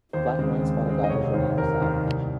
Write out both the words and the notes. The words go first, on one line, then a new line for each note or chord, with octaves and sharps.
The black and white spotted dog is running outside.
D#2 C5
C#3 G#3 C4
D#2
C#3 G#3 C4
D#5
F1 C#5
D#2 D#3 C5
F1 A#4
D#2 D#3
C2